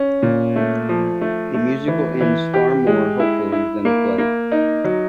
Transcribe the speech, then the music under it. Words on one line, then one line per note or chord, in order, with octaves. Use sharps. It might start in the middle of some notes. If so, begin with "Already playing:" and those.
The musical ends far more hopefully than the play.
Already playing: C#4
A#2
A3
F3
A3
A3
E3
E3
G4
G#3
E4
E4
A#3
A#3
D#4
F#3